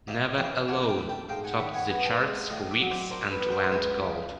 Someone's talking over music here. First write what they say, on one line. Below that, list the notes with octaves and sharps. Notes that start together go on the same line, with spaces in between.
"Never Alone" topped the charts for weeks and went gold.
C3 D#5 F5
E3 F5 G5
D4 F#5 G#5
A#5
G5 A5
A3
G5 A5
G#2 F5 G5
F#5 G#5
D#3 E5 F#5
F#5 G#5
B3 F#5 G#5
G5 A5
G#3
A2 D#5 F5
D5 E5
F#3
C5 D5
D4 A#4 C5
A4 B4
B3
A#4 C5
C5
C#2 B4 C#5
C#3